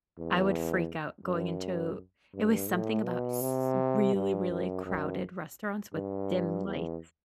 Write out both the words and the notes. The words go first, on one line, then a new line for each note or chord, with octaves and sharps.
I would freak out going into it was something about s really, really crowded restaurants with dim lights.
E2
F#2
G2
A2
B2
C3
G2
F#2
F#2
G2
E2